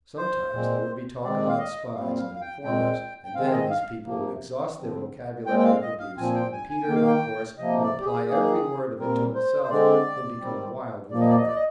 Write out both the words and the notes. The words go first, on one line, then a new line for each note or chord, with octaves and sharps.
Sometimes there would be talk about spies and informers, and then these people would exhaust their vocabulary of abuse, and Peter, of course, would apply every word of it to himself and become wild with anger.
C5
A#2 G#3 C4
D#3 G#3 C4 D5
F5
D#5
A#2 G3 C4 F5
F5
F5
G5
A#2 G#3 C4 G5
G5
D#3 G#3 C4 F5
D#5
F5
C3 F3 A#3
D3 F3 C4
A#2 G#3 C4 G5
G5
F5
D#5
F5
A#2 F3 C4 G#5
G5
G#5
G#5
G5
D#3 A#3
F5
G5
C3 F3 A#3 D#5
D5
G4
G#4
D#3 A#3 G#4
A#2 G3 C4 A#4
C5
C5
D3 G#3 C4 D5
D#3 G3 C4
A#2 F3 A#3 D5
D#5
D5
D#5
D5
D#5